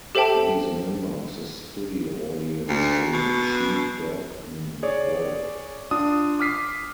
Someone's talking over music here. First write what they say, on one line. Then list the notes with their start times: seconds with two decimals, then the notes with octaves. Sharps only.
He is a member of the studio audience in "Sheep, Dog, 'n' Wolf".
0.15 G4 A4 C5 E5 G5 A5
2.69 D2
3.13 B2
4.83 G#4 C#5 D5
5.91 D4 F4 D#6
6.39 D6 F6 B6 C7